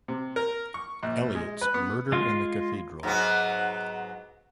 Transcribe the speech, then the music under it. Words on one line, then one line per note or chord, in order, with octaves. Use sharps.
Eliot's "Murder in the Cathedral".
C3
A#4
C#6
A#1
G#3
B4
B3
G#3 F4
G#2 F#3 B3